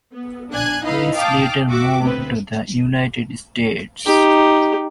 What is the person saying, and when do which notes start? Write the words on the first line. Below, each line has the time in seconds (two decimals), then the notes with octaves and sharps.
Reiss later moved to the United States.
0.12 B3
0.51 A#1 D4 G#5 F#6 G#6
0.83 D#4 E4 B4 D#5 F5 B5
1.13 F5 G5 A5 D6 D#6
1.70 F#4 E5 D6
2.01 D2 B3 C4 B4
4.06 D#4 G4